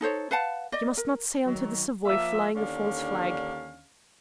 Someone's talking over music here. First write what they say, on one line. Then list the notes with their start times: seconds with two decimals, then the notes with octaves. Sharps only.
You must not sail into the Savoy flying a false flag.
0.01 D#4 A4 C5 C#5
0.31 B4 F5 F#5 A5
0.72 D5 D#5
0.97 A#4
1.46 D#3 F#3
2.05 F3 A#3 E5
2.55 D#2 D3 C#4 D4 F5